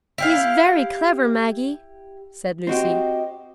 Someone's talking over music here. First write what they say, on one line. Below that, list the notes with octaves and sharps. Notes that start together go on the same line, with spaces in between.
"He is very clever, Maggie," said Lucy.
E4 G4 F5
C4 F#4 G4 D#5